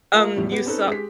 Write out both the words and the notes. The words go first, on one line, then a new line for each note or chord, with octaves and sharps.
um, you saw
A3 F4 A#4 F5
E2 A2 F3 G3
B3 G4
C4 C#4 D#4 A4 B4 C#5
G#3 G4 B6